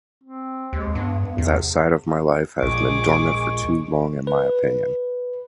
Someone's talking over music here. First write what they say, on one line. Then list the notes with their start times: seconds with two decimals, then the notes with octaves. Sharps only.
That side of my life has been dormant for too long in my opinion.
0.23 C4
0.73 D#2 G#3
0.95 G2 B3
1.38 E2 C3
2.63 A#1 D#2 A#2 G#3 G#4 C#6 D6
4.27 B4